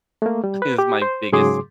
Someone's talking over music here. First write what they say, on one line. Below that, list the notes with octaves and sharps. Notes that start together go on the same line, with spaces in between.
is my biggest
A3 A#3
G3
B4
G4
C5
G#2 C#3 F#3 G#4 C6 D6